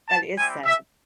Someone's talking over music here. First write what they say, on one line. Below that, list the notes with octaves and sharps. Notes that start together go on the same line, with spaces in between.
That is sad.
A5
G3 C4 E4 G4 G#5
E5